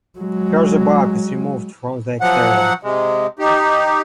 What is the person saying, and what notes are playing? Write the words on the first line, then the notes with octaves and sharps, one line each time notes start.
First the bark is removed from the exterior.
F#3 G#3
F3 F#3 F#5
C3 G#3
D#4 G4